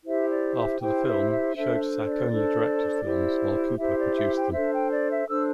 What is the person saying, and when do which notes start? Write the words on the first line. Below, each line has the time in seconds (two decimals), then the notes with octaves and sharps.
After the film, Schoedsack only directed films, while Cooper produced them.
0.05 E4 G4 C5 E5
0.30 D5
0.56 E5
0.80 E4 G4 C5 G5
1.05 E5
1.30 E5
1.55 D4 A4 C5 E5
2.05 D5
2.30 D4 A4 C5
3.04 E4 G4 C5
3.78 E4 G4 C5 E5
3.98 D5
4.16 E5
4.35 G5
4.53 D4 A4 C5 E5
4.72 G5
4.90 D5
5.10 E5
5.27 D4 A4 C5 E6